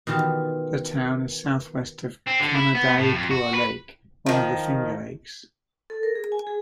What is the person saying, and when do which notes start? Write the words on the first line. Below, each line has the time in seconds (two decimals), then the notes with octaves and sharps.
The town is southwest of Canandaigua Lake, one of the Finger Lakes.
0.07 B2 D#3 E3 F4 G4
2.27 C4
2.40 D3
2.55 E4
2.75 B3
2.98 A2
3.13 F2
3.31 F#4
3.54 B4
4.26 D#3 F3
5.90 A4
6.03 A#4
6.15 G#4
6.32 G#5
6.47 G#4